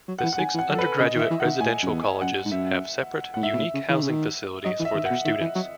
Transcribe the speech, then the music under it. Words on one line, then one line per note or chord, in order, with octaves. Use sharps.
The six undergraduate residential colleges have separate, unique housing facilities for their students.
F#3
E3 F#5
F#5
D#3 G#5
E3
F#5
F#3
A4
B4
C#3 D#5
D#3
E5
E3
D#3 F#5
A2 G#5
F#2
E2
F#2 F#5
G#2
F#2 E5
A2 F#5
G#2 E5
B2
A2
C#3
E3
D#3
C#3
D#3
F#3 D#5
E3
E5
D#3
B2 F#5
D#3 E5
E3
F#3